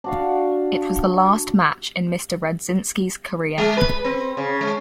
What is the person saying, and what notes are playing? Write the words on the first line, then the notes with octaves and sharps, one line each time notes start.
It was the last match in Mr Redzinski's career.
D4 F#4 F5
G#3
B4
C4
C#3
G#3